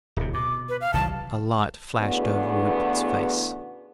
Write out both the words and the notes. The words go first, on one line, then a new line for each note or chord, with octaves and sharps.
A light flashed over Rupert's face.
D1 C3
B2 D6
B4
F5
C2 D#3 F#3 A5
E2 A2 C#3 B3 D4 F#4